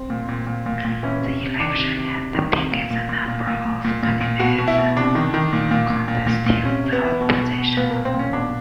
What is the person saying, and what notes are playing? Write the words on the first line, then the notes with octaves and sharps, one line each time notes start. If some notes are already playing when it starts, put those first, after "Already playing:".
The election had the biggest number of candidates contesting the position.
Already playing: C4
A#2
A#2
A#2
A#2
A#2
E3 C#4
C3
C3
D#3 D4
C3
C3
C3
D#3
C3
A#2
A#2
A#2
A#2
A#2
A#2
A#2
A#2
A#2
B2 F#4
B2
E4
B2
C3 D4
D#3
D#3
A#2
A#2
A#2
A#2
A#2
A#2
C3 C#4
C3
B3
E3
B2
B2
B2
A#2 B3
A#3
A#2
C4
A#2
C#4
B2 D4